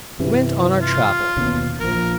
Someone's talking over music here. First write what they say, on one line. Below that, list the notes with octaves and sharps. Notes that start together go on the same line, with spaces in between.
We went on our travel.
G2 C3 E3
F4
D#2 B2 C#4
A#1 F3 A#4